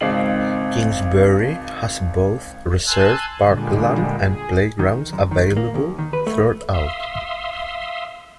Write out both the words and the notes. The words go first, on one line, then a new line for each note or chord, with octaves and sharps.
Kingsbury has both reserve parkland and playgrounds available throughout.
G#1 C#2 C4 D#4 C7 F#7
G#5 A5 C6 E6 F#6 G#6
A#2 D3 G3 G#3
G#4
D#3
F#2
D#3
A#3
D#2
D#3
B4
A3
E5 F5 C6 D#6 E6